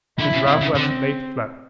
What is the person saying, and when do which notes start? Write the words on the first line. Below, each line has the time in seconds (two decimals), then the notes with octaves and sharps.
His ruff was laid flat.
0.18 D3 E4
0.33 C#3
0.47 C3
0.61 C#3
0.75 D3 C4